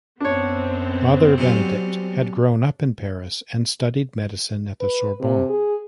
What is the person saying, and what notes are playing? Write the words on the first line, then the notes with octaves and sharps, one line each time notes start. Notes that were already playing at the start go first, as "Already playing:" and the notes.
Mother Benedict had grown up in Paris and studied medicine at the Sorbonne.
F#2 B3 C4 D4 C#5
F#3 G3 C#4
B4
C3
G#4